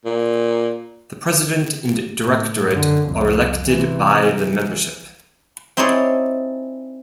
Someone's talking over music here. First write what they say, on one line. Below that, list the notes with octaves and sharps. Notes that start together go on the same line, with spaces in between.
The president and directorate are elected by the membership.
A#2
A2
F#2 D3
C2 F2
C3 E3
E3
C4 D#4 E4 G#4 C#5 D5